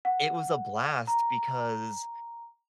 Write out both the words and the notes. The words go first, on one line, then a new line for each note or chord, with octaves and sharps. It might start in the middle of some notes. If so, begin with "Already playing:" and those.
it was a blast because
F#5
A#5